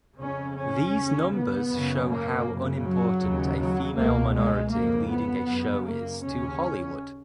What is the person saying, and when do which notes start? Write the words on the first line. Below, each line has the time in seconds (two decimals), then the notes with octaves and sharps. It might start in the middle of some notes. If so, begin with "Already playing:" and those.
These numbers show how unimportant a female minority leading a show is to Hollywood.
0.18 F2 C#3 C#4
0.56 C#4
0.94 D#2 C#3
1.32 B3
1.70 F#2 C#3
2.08 A#3
2.45 F#2 C#3
2.83 F#3
3.21 D#2 C#3
3.60 F#3
3.97 C#2 B2 A#3
4.34 G#3
4.72 F2 C#3 A#3
5.11 B3
5.48 F#2 C#3
5.86 A#3
6.23 D#2 C#3 C#4